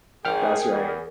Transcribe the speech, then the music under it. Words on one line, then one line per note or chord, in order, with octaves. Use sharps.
That's right.
G#1 G#4 A#4 G5 F6
E2